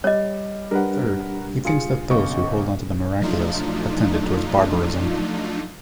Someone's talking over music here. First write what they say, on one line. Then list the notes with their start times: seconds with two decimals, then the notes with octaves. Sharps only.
Third, he thinks that those who hold onto the miraculous have tended towards barbarism.
0.04 G3 C#5 D#5
0.71 G3 D4 G4 A#4 B4 F#5
1.65 F4 G#4 C#7
2.10 B1 C#3 C#6
3.21 F3 F#3 A3 D4 D#4 F4